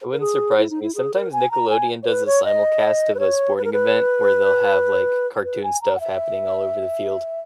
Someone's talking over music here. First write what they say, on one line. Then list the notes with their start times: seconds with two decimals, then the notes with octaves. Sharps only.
It wouldn't surprise me; sometimes Nickelodeon does a simulcast of a sporting event where they'll have, like, cartoon stuff happening all over the field.
0.13 A#4
0.20 G#4
0.58 E4
0.70 D#4
0.82 E4
0.95 G#4
1.14 A#4
1.33 G#5
1.51 A#5
1.70 G#5
2.03 C#5
2.07 B4
2.26 C#5
2.45 D#5
3.15 B4
3.19 C#5
3.58 B4
3.65 A#4
3.73 B4
5.44 B4
5.63 G#5
5.82 A#5
5.96 F#5
6.00 E5